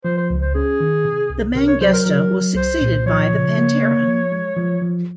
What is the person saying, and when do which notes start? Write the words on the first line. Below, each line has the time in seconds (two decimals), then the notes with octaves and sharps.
The Mangusta was succeeded by the Pantera.
0.05 F3 C5
0.17 C5
0.30 C#2
0.42 C5
0.55 C#4 G#4
0.80 D#3
1.05 C3
1.30 C2
1.55 C3 A#4
1.68 C#5
1.81 F#3 C5
1.93 A#4
2.06 F#3 A#4
2.31 F#3
2.56 C2 C5
2.81 A#2
3.06 F3 C#5
3.32 C#3
3.57 A#3
3.82 A#3
4.07 F3
4.32 G#3
4.57 F3
4.82 F3